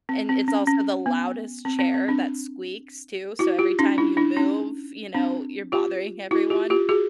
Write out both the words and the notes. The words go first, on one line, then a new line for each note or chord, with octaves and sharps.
And it's also the loudest chair that squeaks, too, so every time you move, you know, you're bothering everyone.
C4
C4
C#4
C#4
B3
C4
C4
C4
C4 D4
E4 F#4
F4 G4
C#4 D#4
D4 E4
D4 E4
C#4 D#4
C4 D4
F4 G4
E4 F#4
F4 G4
F4 G4
F#4 G#4